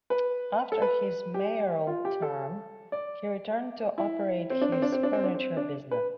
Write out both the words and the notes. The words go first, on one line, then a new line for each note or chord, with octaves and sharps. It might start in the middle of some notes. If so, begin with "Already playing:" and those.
After his mayoral term, he returned to operate his furniture business.
B4
A4
B4
G4
F4
G4
A4
D5
E4
C4
D4
C4
D4
C4
D4
C4
D4
C4
D4
B4